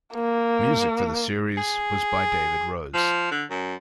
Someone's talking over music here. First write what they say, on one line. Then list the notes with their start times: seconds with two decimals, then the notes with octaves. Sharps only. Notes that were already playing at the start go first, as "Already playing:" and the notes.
Music for the series was by David Rose.
0.14 A#3
1.57 G#4
2.94 F3
3.31 D3
3.50 F#2